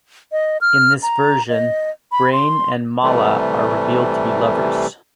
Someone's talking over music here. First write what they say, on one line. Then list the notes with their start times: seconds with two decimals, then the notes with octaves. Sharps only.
In this version, Brain and Mallah are revealed to be lovers.
0.32 D#5
0.61 F6
1.03 A#5
1.49 D#5
2.12 B5
2.33 C6
3.03 C3 E3 G3 A3